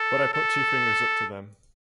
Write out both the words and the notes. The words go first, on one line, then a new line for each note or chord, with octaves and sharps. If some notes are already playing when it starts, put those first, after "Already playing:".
But I put two fingers up to them.
Already playing: A4
A4